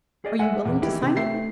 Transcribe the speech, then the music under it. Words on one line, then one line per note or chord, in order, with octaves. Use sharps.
Are you willing to sign it?
G#4 D5 D#5
G#3 E5 F#5 G#5
E2 A#2 E3
D#3 E3 E4 G4
C3
A3 E5 C7